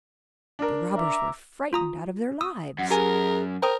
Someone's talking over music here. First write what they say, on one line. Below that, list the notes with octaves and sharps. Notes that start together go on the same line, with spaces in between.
The robbers were frightened out of their lives.
D4 A#4
E5 A#5 D6
F4 A#5 D#6
D#6 E6
F#2 F#5
G4 G#4 A#4 G#5
A#4 C5 G5 D#6